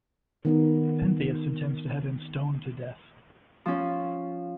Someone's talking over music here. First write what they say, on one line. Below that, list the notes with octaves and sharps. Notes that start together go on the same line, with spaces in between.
Pentheus intends to have him stoned to death.
D#3 B3 D#4
F3 C#4